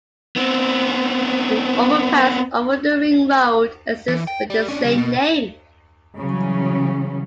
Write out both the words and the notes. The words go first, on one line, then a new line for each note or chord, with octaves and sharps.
An overpass over the ring road exists with the same name.
B3 C4
E3
G5
G3
C#4 D4
C#3 G3
B2
C#3 E3 F#3 G3 C#4